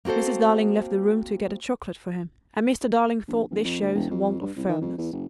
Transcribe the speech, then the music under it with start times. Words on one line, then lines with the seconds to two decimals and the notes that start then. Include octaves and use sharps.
Mrs. Darling left the room to get a chocolate for him, and Mr. Darling thought this showed want of firmness.
0.05 A#3 C4 F#4 A4 C5
3.28 A#1
3.50 E1
3.64 F2
3.81 D2
3.94 E1
4.10 F2
4.41 G2
4.56 C2
4.69 D#3
4.81 F2
4.98 E2
5.12 F#1